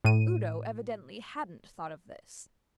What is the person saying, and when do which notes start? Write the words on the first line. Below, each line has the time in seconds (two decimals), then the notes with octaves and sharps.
Udo evidently hadn't thought of this.
0.05 A2 D#7